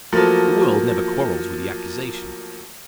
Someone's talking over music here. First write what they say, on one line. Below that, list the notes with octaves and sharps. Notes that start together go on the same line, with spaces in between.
The world never quarrels with the accusation.
F3 F#3 A3 A#3